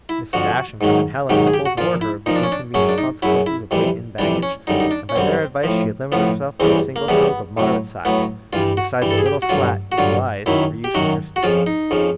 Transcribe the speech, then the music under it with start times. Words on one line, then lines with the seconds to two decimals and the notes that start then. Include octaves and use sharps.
Mrs. Ashe and Cousin Helen had both warned her of the inconvenient consequences of weight in baggage; and by their advice she had limited herself to a single trunk of moderate size, besides a little flat valise for use in her stateroom.
0.09 E4
0.33 F2 D3 F3 F#4
0.81 G#2 D#3 F#3
1.29 G#2 D#3 F#3 G4
1.47 G#4
1.54 G4
1.66 F#4
1.77 A#2 F4
1.81 F3
2.01 E4
2.26 A#2 F3 D#4
2.36 D4
2.43 C#4
2.52 D4
2.74 F#2 C#3 F#3 C#4
2.89 D4
2.98 D#4
3.22 F#2 C#3 F#3 E4
3.46 E4
3.71 F2 C3 E3 G3
4.18 F2 C3 E3 G3 D4
4.43 C#4
4.67 F#2 D3 G3 D#4
4.80 D#4
4.91 D4
5.09 C#4
5.15 F#2 D3 G3 C4
5.63 A2 F3
6.12 A2 F3 B3
6.60 E2 C#3 E3 G3 C4
6.96 A#3
7.08 E2 C#3 E3 G3 B3
7.57 A2 F#3
8.05 A2 F#3 B3
8.53 G2 E3 G3 F4
8.77 F#4
9.02 G2 E3 G3
9.11 A4
9.18 G#4
9.26 G4
9.42 F#4
9.49 G2 D3 F#3 F4
9.92 F#4
9.98 G2 D3 F#3 F4
10.46 F#2 D#3 F#3 E4
10.84 G4
10.94 F#2 D#3 F#3 F#4
11.36 F#4
11.43 F2 C#3 F3 F4
11.67 D#4
11.91 F2 C#3 F3